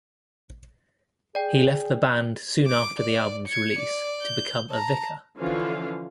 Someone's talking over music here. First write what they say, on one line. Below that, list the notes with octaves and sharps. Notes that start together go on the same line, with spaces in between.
He left the band soon after the album's release to become a vicar.
G#4 D5 G5
D6
D5
G#6 C#7
D5
G6
A5 A#5
D3 E3 F3 C#4 F4 F5